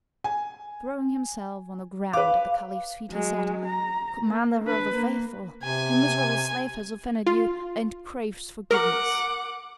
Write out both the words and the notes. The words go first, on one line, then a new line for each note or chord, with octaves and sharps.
Throwing himself on the ground at the Caliph's feet, he said: "Commander of the Faithful, your miserable slave has offended you, and craves forgiveness."
G#5
B4 F5 D6
F#3 G#3
A#5
A#3
D4 B4
A#3
C3 G#5
F4
A#4 F#5 D6